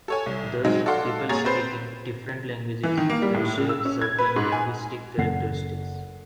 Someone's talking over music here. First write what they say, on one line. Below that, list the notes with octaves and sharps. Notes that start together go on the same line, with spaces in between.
Thus people speaking different languages can share certain linguistic characteristics.
A4 C#5 G#5
C2
D#3 F#3 G#3 C4 D#4
A4 D5 F5 F#5 C6
A#2 G#4 C#5 G#5 A#5 A6
C4 B4 C5 G6 C7
E3
D#3
A#3
G3
A2
C#3
E6
C#4
G#6
B4
G#2
G#5
F#1 A4 F#5 C7